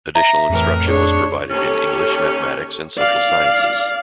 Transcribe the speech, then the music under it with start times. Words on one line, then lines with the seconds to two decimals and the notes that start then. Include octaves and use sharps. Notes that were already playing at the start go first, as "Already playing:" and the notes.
Additional instruction was provided in English, mathematics, and social sciences.
0.15 E5 A#5
0.49 F2 A2 E3 A#4
0.88 D4 G#4 C#5
1.50 D#2 C#4 G4 A4 C#5
2.98 D5 F5